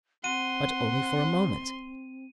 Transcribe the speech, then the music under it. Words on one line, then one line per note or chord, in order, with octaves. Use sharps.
But only for a moment.
C4 F#5 C6 D#7